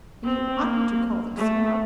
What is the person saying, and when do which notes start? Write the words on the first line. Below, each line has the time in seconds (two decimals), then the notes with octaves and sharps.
And you oughtn't to call them snobs.
0.25 C4
0.62 A#3
1.37 A3